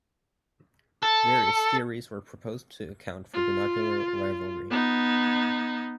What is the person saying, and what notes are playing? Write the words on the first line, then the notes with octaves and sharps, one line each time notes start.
Various theories were proposed to account for binocular rivalry.
A4
F4
B3 D#4